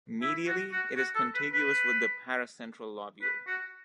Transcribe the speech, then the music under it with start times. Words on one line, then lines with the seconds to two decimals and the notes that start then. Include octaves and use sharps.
Medially, it is contiguous with the paracentral lobule.
0.22 E4
0.47 F#4
0.72 F#4
0.97 F#4
1.15 A4
1.34 B4
1.52 B4
3.22 B4
3.47 F#4